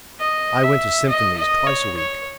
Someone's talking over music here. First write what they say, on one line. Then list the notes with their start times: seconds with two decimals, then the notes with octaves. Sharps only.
I went to symphonies twice a week.
0.20 D#5
0.63 E5
1.08 D#5
1.38 D#5
1.67 C#5
1.97 C#5